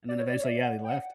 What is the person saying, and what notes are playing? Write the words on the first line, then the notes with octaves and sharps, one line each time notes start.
and then eventually, yeah, they left.
D5
C#5
D5
C#5
E5
D5
F#5
G5
F#5